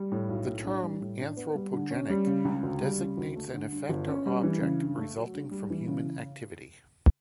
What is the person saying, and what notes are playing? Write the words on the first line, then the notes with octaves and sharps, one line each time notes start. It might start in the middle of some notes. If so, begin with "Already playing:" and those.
The term "anthropogenic" designates an effect or object resulting from human activity.
Already playing: G3
A2
B1
A2
D4
G3
A2
D4
B3
G3
D3
C#4
G3
C#3
C#2
D2
G3
C#3
D2
A3
D3
G2
G1
C#4
G3
E3
C#3
G2
A3
F#3
G2
G3
E3
C#3